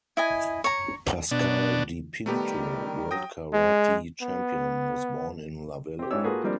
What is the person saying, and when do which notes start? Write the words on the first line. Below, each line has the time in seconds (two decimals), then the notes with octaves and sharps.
Pasquale Di Pinto, World Karate Champion, was born in Lavello.
0.17 E4 D#5 G#5
0.64 C#5 A#5
1.31 B2 D4
2.26 D#3 G3 A3 B3 G4 A#4
3.11 F#3 G5 D#6 A#6
3.53 G#3
4.22 B3
5.99 C4 G4
6.11 G#2 D4 E4 G4 C#5 E6
6.24 A#3 F4 F#4 G#4 A4 B4
6.44 F3 G3 A#3 C4 D4